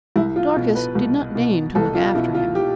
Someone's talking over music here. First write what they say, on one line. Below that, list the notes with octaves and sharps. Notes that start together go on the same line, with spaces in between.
Dorcas did not deign to look after him.
C2 E4
F4
B2
B4
C2
B2
C2 A4
F4
B2 E4
F4
G4